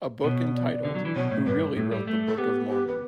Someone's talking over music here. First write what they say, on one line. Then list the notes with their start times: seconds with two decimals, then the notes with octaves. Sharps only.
A book entitled Who Really Wrote the Book of Mormon?
0.24 B2 C#5
0.55 D5
0.85 D3
0.95 F#3
1.05 E3
1.16 B2 C#5
1.31 A2
1.46 G2 B4
1.76 A2 A4
1.91 G3 A4
2.07 A3
2.26 A4
2.38 B3 G4
2.69 G4
2.87 B4